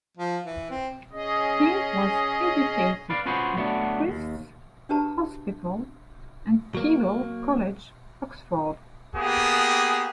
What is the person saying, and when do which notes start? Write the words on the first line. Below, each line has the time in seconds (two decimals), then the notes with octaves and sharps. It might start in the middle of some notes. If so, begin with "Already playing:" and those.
He was educated at Christ's Hospital and Keble College, Oxford.
0.17 F3
0.45 E3
0.70 C4
1.12 C#4 G#4 D#5
3.10 B4 D5 F5
3.26 C#4 F4 F#4 G#4 B4 C5
3.57 F#3 A3 B3 D4 F#4
4.08 D#2
4.89 D4 F#4 G4 B4 A5 A#5
6.75 F#3 A#3
9.16 A#3 B3 G4 G#4